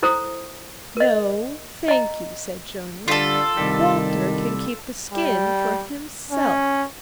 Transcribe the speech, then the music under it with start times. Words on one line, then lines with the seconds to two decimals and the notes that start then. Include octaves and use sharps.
'No, thank you,' said Jonas, 'Walter can keep the skin for himself.
0.03 E4 A4 C5 A#5 D#6
0.97 A#4 D#5
1.88 D#5 A#5
3.08 D3 G3 F4 A4
3.57 C2 D#3 G3
5.12 G3
6.31 C#4